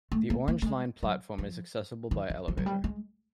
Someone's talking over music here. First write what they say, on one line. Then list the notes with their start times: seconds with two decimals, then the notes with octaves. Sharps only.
The Orange Line platform is accessible by elevator.
0.12 A3
0.30 A#3
0.48 A#3
0.62 A3
0.66 G#3
1.03 F#3
1.38 F3
2.11 E3
2.30 F3
2.48 F3
2.57 F#3
2.66 G3
2.84 G#3